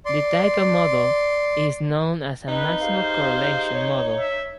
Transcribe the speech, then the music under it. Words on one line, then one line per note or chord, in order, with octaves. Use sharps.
This type of model is known as a maximum correlation model.
D5 C6
C4 D#4 B4
G4 G#4 C5 F5
C#5
E5